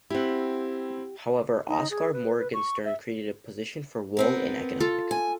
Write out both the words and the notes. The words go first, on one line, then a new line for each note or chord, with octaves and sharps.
However, Oskar Morgenstern created a position for Wald in economics.
C4 E4 G4 F#5
D#4
G#4
B4
B4
C#6
E5
B3 C4 A#4
F4 A4
G#5